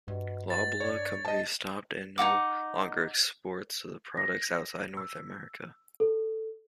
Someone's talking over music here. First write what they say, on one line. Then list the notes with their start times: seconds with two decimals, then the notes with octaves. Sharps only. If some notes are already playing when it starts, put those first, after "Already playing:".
Loblaw Companies stopped and no longer exports the products outside North America.
0.08 G2 B2
0.50 B2 A6
0.80 D4 C#5
1.25 C3 D#5 A5
2.18 D#4 F#4 F#5 D6
4.17 A#6
4.97 E6
6.00 A4